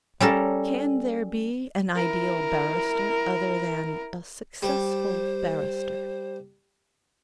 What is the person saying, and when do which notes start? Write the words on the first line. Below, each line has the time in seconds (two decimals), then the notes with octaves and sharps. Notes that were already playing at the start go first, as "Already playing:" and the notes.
But can there be an ideal barrister other than a successful barrister?
0.20 G3 C#4 A4 A#4
1.95 E4 A#4
4.63 G3 C5